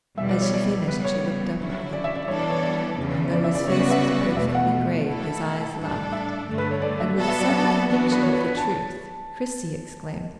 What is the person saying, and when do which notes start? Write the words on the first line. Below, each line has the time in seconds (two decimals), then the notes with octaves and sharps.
As she finished she looked up at him; and, though his face was perfectly grave, his eyes laughed, and with a sudden conviction of the truth, Christie exclaimed!
0.17 E2 B2 G3 E5
0.29 D5
0.41 C#5
0.53 D5
0.87 C#3 G3 B3 B4
1.05 C#5
1.58 D3 F#3 C#4 E4
1.93 D5
2.04 E5
2.15 D5
2.27 E3 G3 B3 D4 A4 C#5
2.39 D5
2.50 C#5
2.62 D5
2.98 E2 C#3 E3
3.32 D5
3.44 E5
3.55 D5
3.67 C#3 G3 B3 F#4 B4 C#5
3.79 D5
3.91 E5
4.02 D5
4.19 D5
4.37 E2 B2 A3 E5
4.55 F#5
5.07 B2 A3 E4 A4
5.77 A2 G3 D4 A4
6.12 E5
6.47 G2 D3 A3
6.58 B4
6.71 C#5
6.82 D5
7.00 E5
7.17 F#3 B3 F#4 A4 D5
7.28 E5
7.40 D5
7.50 E5
7.60 D5
7.86 E3 B3 D4 F#4
8.12 B4
8.22 C#5
8.33 B4
8.46 B4
8.57 A5